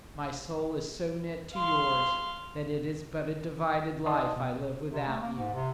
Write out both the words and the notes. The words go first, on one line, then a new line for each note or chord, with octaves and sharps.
My soul is so knit to yours that it is but a divided life I live without you.
F5 C6
D#4 D5 D#5 A5 C6 D#6
B2
C3
A3
A#3
G#2
C3